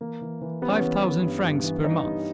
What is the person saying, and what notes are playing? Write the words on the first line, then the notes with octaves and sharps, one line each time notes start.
"Five thousand francs per month."
E3 A#3
E3
E3
G3 B3
C#4
B3
E3
G3
G2
G2
E3
G2 D#4
G3